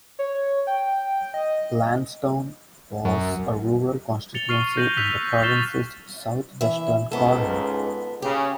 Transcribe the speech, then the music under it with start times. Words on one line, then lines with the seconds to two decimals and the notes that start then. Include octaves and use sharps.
Lansdowne was a rural constituency in the province's southwestern corner.
0.19 C#5
0.34 C#5
0.67 G5
1.34 D#5
3.05 F#2
4.34 A6 C#7 F7 G7
4.49 C#6 F6 C7 D#7 G7
4.77 G6 A#6 C7 D#7 F7 F#7
4.97 E6 F#6 B6 F7
5.41 C#6 F6 A6 C7 E7 G7
6.61 E3 E5
7.11 C#2 G#2 B3 A4
8.22 C#3 G4